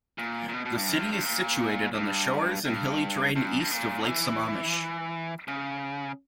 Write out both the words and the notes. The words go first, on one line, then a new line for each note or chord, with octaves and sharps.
The city is situated on the shores and hilly terrain east of Lake Sammamish.
A#2
A#2
B2
B2
G2
F#2
G2
G2
A#2
G2
G2
G2
F#2
G2
A#2
E3
C#3